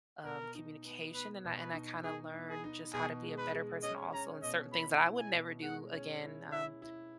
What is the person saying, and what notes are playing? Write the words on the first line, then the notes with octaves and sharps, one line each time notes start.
um, communication, and I and I kinda learned just how to be a better person also, and certain things that I would never do again, um,
B2 A#4
D#4
B3
B3 B4
B2
B4
D#4
D#4 G#4
B3
G#4
D#4
B2 G#4
G#3
B4
G#3
C#4 D#5
C#4 A#5
B2 D#5
E4 B5
E4
G#5
B2
G#3 F#5
C#4
E4
E4 E5
E4